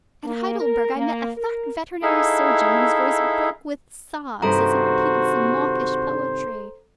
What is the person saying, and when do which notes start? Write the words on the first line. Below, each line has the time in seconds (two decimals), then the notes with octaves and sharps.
At Heidelberg I met a fat veterinary surgeon whose voice broke with sobs as he repeated some mawkish poetry.
0.25 A#3
0.61 A#4
0.96 A#3
1.37 A#4
2.02 D#4 E4 G#4 A4 E5 F5
4.42 G2 C3 D#3 F#4 A4 C5 A#5